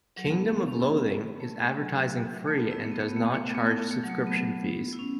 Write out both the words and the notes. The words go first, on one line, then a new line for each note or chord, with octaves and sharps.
"Kingdom of Loathing" is advertising-free and does not charge subscription fees.
F#3
A3
B3
C#4
E4
A3
A3
F#3
A3
B3
E4
A3
B3
A3
B3
A3
B3
A3
B3
A3
A3
F#3
A3
B3
E4
C#4